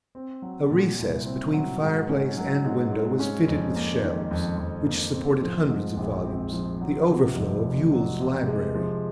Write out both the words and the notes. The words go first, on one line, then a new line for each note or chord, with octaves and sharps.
A recess between fireplace and window was fitted with shelves, which supported hundreds of volumes, the overflow of Yule's library.
C4
F#3
A#2
C2
C4
F#3
G#2
C#4
F#3
G#2
G#2
C#4
F2
A#3
D#3
F2
F2
A#3
C4
F3
G#2
A#1
C4
F3
F#3
C3
F2
F1
F#3
C3
G#3
F3